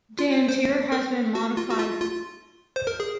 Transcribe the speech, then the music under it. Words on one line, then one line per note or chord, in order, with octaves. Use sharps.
The interior has been modified.
F4
C5
A#4
F#4
F4
F#4
F4
F4
C5
A#4
G#4